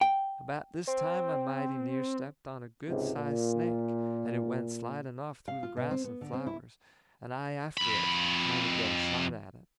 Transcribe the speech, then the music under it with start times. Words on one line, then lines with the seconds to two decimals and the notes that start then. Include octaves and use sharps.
About this time I mighty near stepped on a good-sized snake, and it went sliding off through the grass and flowers, and I after it, trying to get a shot at it.
0.01 G5
0.87 C4
2.87 C#2 G#2 C3
3.16 A#2
5.48 F5
5.63 F4
5.77 B2
5.91 C4
6.04 B3
6.21 D3
6.33 C4
6.47 E4
7.77 F2 B5